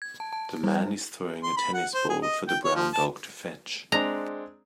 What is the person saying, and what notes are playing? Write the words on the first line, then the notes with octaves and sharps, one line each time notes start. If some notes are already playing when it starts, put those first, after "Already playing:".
The man is throwing a tennis ball for the brown dog to fetch.
G#6
A5
A5
G3
C6
B5
F#5
C5
G#4
D#5
G5
C#5
F3
A5
G#3 C4 D4 A#5